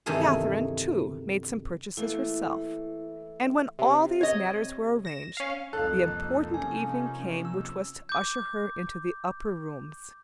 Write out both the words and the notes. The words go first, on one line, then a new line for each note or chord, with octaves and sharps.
Catherine too made some purchases herself, and when all these matters were arranged, the important evening came which was to usher her into the Upper Rooms.
E2 G2 C3 D#3 A3 G#4
E3 A3 A#3 E4
C3
C#5 D#5
A#6 E7
C#4 F5
C2 F2 A#3 D#4 A4 F5 F#6
C3 F3 C#4 G#5
E6
D6 G6